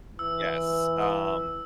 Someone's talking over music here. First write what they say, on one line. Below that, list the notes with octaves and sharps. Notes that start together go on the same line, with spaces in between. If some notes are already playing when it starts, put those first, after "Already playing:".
Y yes, um,
E3 E6